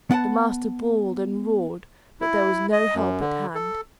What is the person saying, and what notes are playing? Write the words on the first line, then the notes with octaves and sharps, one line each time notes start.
The master bawled and roared, but there was no help at hand.
B3 F#5 G5 A5
E4
D#5
F#2
D3
A4